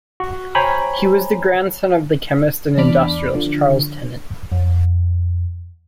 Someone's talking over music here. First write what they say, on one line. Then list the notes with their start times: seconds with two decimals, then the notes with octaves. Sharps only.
He was the grandson of the chemist and industrialist Charles Tennant.
0.20 F#4
0.55 C5 C#5 G5 G#5 A#5 B5
2.77 E2 D4 D5 B5 D6 F6
3.35 D3 F3
4.52 F2